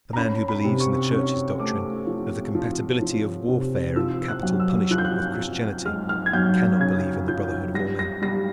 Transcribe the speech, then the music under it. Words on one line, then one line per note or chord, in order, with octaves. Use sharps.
The man who believes in the Church's doctrine of the compatibility of warfare and capital punishment with Christianity cannot believe in the brotherhood of all men.
A#5
C#4 B5
B5
C3
C#6
C#4 C#6
A3 D6
F3
F3
F3
C3
F3 E6
F#6
F#2
E6
F3 F#6
G6
F#6
F3
G#3 F6
F6
G#6
F#2 G6
C#3 G#6
F3 G6
G3 A#6
A#6
G3 A#6